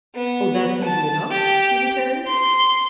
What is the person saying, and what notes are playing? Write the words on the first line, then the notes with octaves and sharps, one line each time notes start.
"Oh! that's easy enough," he returned.
B3
A5
G4
C6